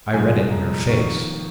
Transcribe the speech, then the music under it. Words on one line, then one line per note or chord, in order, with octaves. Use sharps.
I read it in her face.
C2 A#2 F3 G#3 G#5
A#5
F2 D#3 A#3 C#6